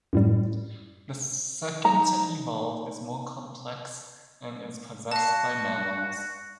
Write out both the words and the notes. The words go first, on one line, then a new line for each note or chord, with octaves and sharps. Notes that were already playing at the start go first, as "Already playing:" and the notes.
The second to evolve is more complex and is possessed by mammals.
F#2 A2 G3
D#4 A#5
F#4 F5 A5